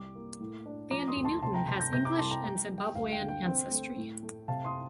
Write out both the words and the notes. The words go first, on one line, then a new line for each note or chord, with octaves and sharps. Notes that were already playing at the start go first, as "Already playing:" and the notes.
Thandie Newton has English and Zimbabwean ancestry.
Already playing: C2 G3 D6
A#3
A2
D4
F3 A#5 D6
C6 D#6
D2
A5 C6
C3 A5 C6
G5 A#5
C3 A5 C6
G6 A#6
C3 G6 A#6
A#5 D6
C2 A5 C6
G5 A#5
G3 G5 A#5
G3
G5
D2 F5
G5
D3
G5
C4
A3
A2
A3
C3 F5 A5
C6 D#6